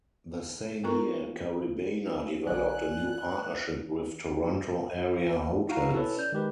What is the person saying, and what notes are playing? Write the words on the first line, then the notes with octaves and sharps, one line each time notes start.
The same year, Caribana developed a new partnership with Toronto-area hotels.
B3 F4 A4 A#4 A#5 C#6
B1 D3 F#3 C#4 A4 D5 G#5 F#6
E4 F#4 F5 A#5
C#4 E4 A4 B4 C#5
D5 G6
D#3 G#3 G4 B4